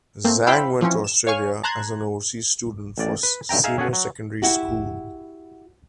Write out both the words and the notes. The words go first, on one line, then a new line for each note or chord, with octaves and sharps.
Zhang went to Australia as an overseas student for senior secondary school.
A3 A#3 C4
E4 C5 F5 G5 B5 E6
E3 F3 C4 C#4
E7
C#5 F5 G#5 C#6 F6
A5 A#5 C6 F#6 G#6
A1 D5
B4
B1 G2 E5 G5 A#5
D#4 G#4 E5 F5
C#4 G#4 A4 F#5 G#5
F#3
E4 F#4 G4